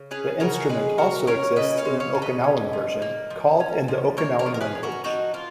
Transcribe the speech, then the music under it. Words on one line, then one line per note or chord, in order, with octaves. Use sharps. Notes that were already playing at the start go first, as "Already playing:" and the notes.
The instrument also exists in an Okinawan version, called in the Okinawan language.
Already playing: C#3
C#4 G#4 B4
C#3 F#4 A#4
G#3 G#4 B4
C#3 F#4 A#4
C#4 A#4 C#5
C#3 B4 D#5
C#5 F5
G#3
C#5 F5
C#3
B4 D#5
C#4
F3
A#3
F3
C#4
F3
A#3 A#4 C#5
A#4 C#5
F3
A#4
G#4 B4
C#4
F#4 A#4
F3 D#4 F#4
A#3 F4